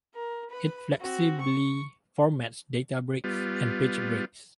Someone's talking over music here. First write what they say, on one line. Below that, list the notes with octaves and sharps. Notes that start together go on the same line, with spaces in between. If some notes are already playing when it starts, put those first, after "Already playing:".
It flexibly formats data breaks and page breaks.
A#4
B4 B5
C4 F#4
C#6
G3 B3 F4